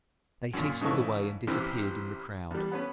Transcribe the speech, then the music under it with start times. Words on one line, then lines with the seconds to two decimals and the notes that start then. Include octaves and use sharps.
They hastened away and disappeared in the crowd.
0.54 F#2 A#2
0.81 G#2 C#3 E3 A4 C#6
1.47 A1 C3 E3 C4 G4 F6
2.50 E2 G3
2.72 B3 C#4 B4